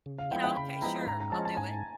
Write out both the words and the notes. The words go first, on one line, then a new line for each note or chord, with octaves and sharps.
you know, "Okay, sure, I'll do it."
C#3
F5
F3 G#3 B3 E4 G5
G5
C#3 B5
F3 G#3 B3 E4 A#5
G#2 A#5
A#5
F3 G#3 C#4 A5
A5
G#2 G#5